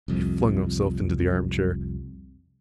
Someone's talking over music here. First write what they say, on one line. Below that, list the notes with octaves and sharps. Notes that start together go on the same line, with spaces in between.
He flung himself into the armchair.
C2 F2